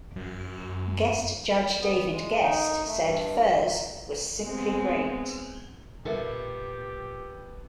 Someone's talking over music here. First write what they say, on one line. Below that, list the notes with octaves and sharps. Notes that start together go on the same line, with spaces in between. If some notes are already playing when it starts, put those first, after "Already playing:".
Guest judge David Gest said Furze was simply great.
F#2
B3
G#3
D#4
A3
G2
G#3 B3 C4
A#2 G3 B3 G4 A4 A#4 E5